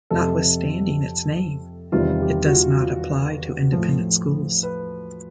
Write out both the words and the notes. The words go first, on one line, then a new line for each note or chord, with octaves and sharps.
Notwithstanding its name, it does not apply to independent schools.
F2 C3 F3 A4
E2 C3 D#3 G3 F4
G4
F#4
F4
F4
A2 F3
B4